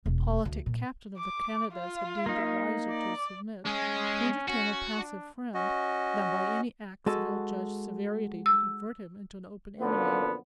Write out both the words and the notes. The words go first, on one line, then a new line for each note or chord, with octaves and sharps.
The politic captain of the Canadas had deemed it wiser to submit to entertain a passive friend, than by any acts of ill-judged severity to convert him into an open enemy.
E1
D2
A#2
D6
F4
A#3 D#4
D5
G#3 C#4
C#4 F#4
D4
C#4 F#4 D#5
G#3 F#4 A4
E6
F#2 A#2 D3 F3 B3